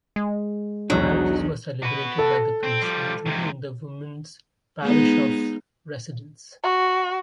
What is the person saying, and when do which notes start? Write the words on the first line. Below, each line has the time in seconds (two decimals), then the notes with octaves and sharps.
Marriages were celebrated by the priest, usually in the woman's parish of residence.
0.16 G#3
0.90 B1 E2 B2 F#3 D4 D#4
1.83 F#4 B4
2.18 A4
2.63 C4
2.82 F3 G3
3.26 G#2 C3
4.82 G#3 B3 D#4
6.64 F#4